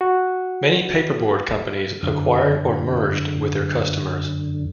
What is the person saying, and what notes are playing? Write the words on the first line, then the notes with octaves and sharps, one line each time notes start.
Many paperboard companies acquired or merged with their customers.
F#4
F#2 D3